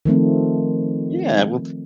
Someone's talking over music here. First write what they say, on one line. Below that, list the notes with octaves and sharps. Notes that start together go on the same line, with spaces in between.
Yeah, well
D#3 F3 A3 C4